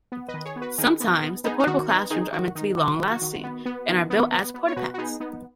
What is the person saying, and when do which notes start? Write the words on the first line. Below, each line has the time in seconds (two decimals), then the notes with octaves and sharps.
Sometimes, the portable classrooms are meant to be long-lasting and are built as "portapacks".
0.12 B3
0.28 B4 D#5
0.34 D#3
0.45 G#4 C#5
0.56 B3
0.62 F#4 B4
0.78 D#3 D#4 G#4
1.00 B3
1.23 B3
1.44 B3 D#4 G#4
1.59 D#4
1.67 D#3 F#4
1.89 B3 D#4
2.10 D#3 D#4 G#4
2.33 D#3 F#4
2.55 D#3 D#4
2.77 F#3 F#4
2.99 D#3
3.11 F#4
3.22 D#3
3.44 B3
3.66 B3
3.88 D#3
4.10 B3
4.32 B3
4.54 B3
4.67 C#5
4.76 B2 F#4 B4
4.94 F#4
4.98 B3 D#4 G#4
5.20 B3 D#4